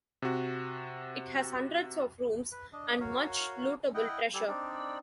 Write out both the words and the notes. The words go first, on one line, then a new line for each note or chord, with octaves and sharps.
It has hundreds of rooms and much lootable treasure.
C3 F#4
B4
D4 D#5
F#4 A#4 C#5 F5
E4 D#5 F#5 G5
G3 G4 A4 G#5
C4 D4 D#4 D5